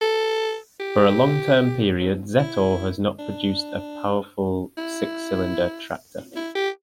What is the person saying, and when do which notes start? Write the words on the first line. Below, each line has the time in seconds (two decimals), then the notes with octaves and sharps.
For a long-term period, Zetor has not produced a powerful six-cylinder tractor.
0.01 A4
0.80 G4
2.39 E4
3.19 D4
4.77 E4
6.36 E4
6.55 G4